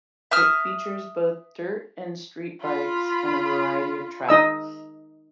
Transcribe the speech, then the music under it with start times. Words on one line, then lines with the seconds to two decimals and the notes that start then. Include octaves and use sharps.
It features both dirt and street bikes, and a variety of tracks.
0.31 E5 D#6 F6
2.61 F4 B5
4.29 D#4 D#5 E6